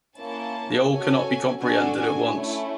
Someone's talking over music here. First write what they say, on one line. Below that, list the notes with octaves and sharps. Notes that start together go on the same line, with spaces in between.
The whole cannot be comprehended at once.
A#3 C#4 E4 A5
C#4 F#4 A4 G#5
D4 F#4 A4 G#5
G#5
A3 C#4 E4